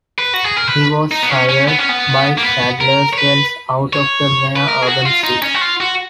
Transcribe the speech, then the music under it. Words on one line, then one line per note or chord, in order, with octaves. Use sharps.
He was sired by Sadler's Wells out of the mare Urban Sea.
B4
F#4
G#4
A#4
B4
D#4
B3
C#4
C#4
B3
C#4
B3
A#3
B3
A#4
C#5
B4
C#5
B4
A#4
G#4
F#4
F4
D#4
C#4
F#4
F4
F#4